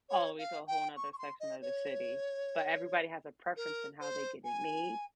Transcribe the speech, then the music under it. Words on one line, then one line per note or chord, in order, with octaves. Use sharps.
all the way to a whole 'nother section of the city. But, everybody has a preference in how they get it made,
C#5
F5
G5
C#6
C#6
C6
D#5
C#5
A#4
C5
G#5